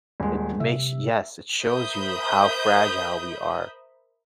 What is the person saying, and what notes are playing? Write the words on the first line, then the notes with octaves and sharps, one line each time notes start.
It makes Yes, it shows you how fragile we are
D#1 G#3
C3 E5
A#4 C5 E5 B5 D#6 G6